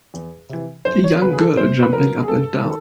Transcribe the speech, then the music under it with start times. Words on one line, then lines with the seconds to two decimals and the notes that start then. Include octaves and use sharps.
A young girl jumping up and down.
0.14 E2
0.49 C3 E3
0.85 F#2 C5
1.04 C#5
1.21 C#3 F#3 B3 B4
1.33 G#4
1.40 A4
1.57 F#2 C5
1.83 B4
1.93 C#3 F#3 B3 A#4
2.23 G#4
2.28 G2 A4
2.64 D#3